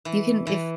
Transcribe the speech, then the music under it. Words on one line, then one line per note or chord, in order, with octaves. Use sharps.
you can if
E3
E3